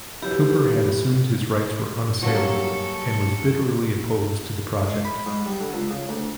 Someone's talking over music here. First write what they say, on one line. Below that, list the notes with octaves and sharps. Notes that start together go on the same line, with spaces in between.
Cooper had assumed his rights were unassailable and was bitterly opposed to the project.
E3 F#3 E4 G4
F#2 F#3 G3 A#3 C#4 A4 C#6
G#3
B5
G#2
G3
D3
C#2
C#3
D2